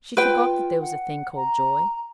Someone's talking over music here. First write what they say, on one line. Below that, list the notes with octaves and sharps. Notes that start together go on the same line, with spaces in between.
She forgot that there was a thing called joy.
F4 B4 G5
F#5
A#5